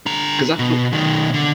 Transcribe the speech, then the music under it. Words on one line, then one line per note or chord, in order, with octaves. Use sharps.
'Cause I feel
D3 A#5
B2
B2 D#3
D3